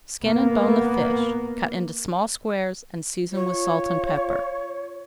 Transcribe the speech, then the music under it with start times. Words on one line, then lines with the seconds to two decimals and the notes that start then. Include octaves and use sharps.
Skin and bone the fish, cut into small squares, and season with salt and pepper.
0.23 A#3 B3
3.33 F4 C#5